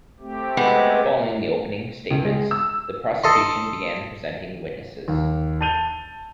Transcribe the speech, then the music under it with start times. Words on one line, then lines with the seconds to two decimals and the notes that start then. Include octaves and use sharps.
Following the opening statements, the prosecution began presenting witnesses.
0.20 A3 C4 G4
0.57 G#3 B3
2.10 C#2
2.25 G#3
2.51 E6
3.24 A4 D#5 C6
5.08 D#2
5.61 A5 G6 D#7 F7 G7